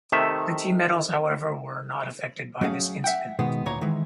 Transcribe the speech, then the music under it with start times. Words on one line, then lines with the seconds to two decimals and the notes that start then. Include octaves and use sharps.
The team medals, however, were not affected by this incident.
0.12 C3 D#3 A3 E5
2.61 F#3 A3 C#4 G#4 F5
3.04 E5 F#5 G5
3.39 B2 D#3 G#3 B3
3.66 D2 A#2 C#5 A#5
3.81 D#3 E3 G#3